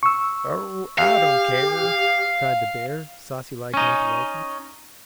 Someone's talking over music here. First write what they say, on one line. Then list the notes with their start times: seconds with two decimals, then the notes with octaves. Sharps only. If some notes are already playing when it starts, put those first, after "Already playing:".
"Oh, I don't care!" cried the bear, saucy like and impolitely.
0.03 C#6 E6
0.98 G4 F5
3.74 C#4 D#4